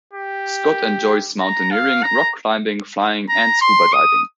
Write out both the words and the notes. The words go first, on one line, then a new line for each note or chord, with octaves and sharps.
Scott enjoys mountaineering, rock climbing, flying and scuba diving.
G4
A#5
F5
A#5
A#5
C6
D#6